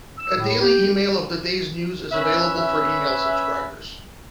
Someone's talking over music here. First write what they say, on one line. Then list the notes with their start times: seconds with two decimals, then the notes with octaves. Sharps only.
A daily email of the day's news is available for email subscribers.
0.18 E6
0.37 A2
0.61 G4
2.12 C#4 B4 E5